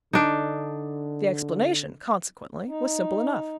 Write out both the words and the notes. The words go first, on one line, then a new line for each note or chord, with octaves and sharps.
The explanation, consequently, was simple enough.
D3 D4 D#4
D#4